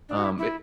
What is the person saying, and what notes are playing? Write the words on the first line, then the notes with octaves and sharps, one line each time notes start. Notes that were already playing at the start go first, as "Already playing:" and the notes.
Um, i
D4
F#4
E4
E4